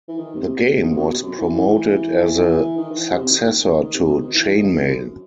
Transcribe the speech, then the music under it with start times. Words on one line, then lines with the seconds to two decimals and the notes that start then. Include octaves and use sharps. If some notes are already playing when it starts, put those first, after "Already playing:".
The game was promoted as a successor to "Chainmail".
0.08 E3
0.18 D#3
0.35 C3
0.83 D#3
0.89 C3
0.96 B2
1.09 B2
1.22 F#2
1.39 E3
1.56 E3
2.77 D#3
2.90 E3
3.10 B2
3.16 C3
3.29 D#3
3.64 D#3
3.81 D#3
3.94 C3
4.08 B2
4.21 D#3
4.34 E3
4.47 E3
4.59 D#3
4.73 C3
4.86 F#2